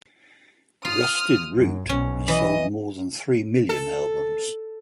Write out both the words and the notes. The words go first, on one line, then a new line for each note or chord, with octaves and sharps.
Rusted Root has sold more than three million albums.
F4 D#6 F6
F#2
B1 C#4
E3 D#5
A4